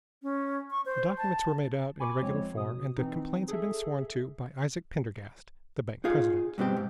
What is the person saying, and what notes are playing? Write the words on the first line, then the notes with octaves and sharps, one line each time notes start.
The documents were made out in regular form, and the complaints had been sworn to by Isaac Pendergast, the bank president.
C#4
C#6
C5
A5
G#5 B5 C#6 D6
E2 F3 G#3 C4 C#5
B2 D#6
E3 C4 D#4
G#4 A4 E5
D#4 F4 G#4 F5
G2 B2 C4 G4
G#2